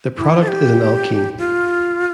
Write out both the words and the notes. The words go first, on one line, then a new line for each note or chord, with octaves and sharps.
The product is an alkene.
E4
A4
G4
F4